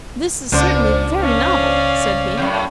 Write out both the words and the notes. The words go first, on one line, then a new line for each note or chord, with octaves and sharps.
"This is certainly very novel," said he.
C#2 A#2 C#3 D4 C5
C#4 D5 F5
F#2 A2 C#3